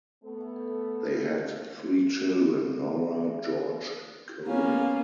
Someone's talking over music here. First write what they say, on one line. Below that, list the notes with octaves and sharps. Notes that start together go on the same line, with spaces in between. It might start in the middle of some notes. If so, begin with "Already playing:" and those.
They had three children: Nora, George and Colin.
A3 B3 A4
A#3 B3 C#4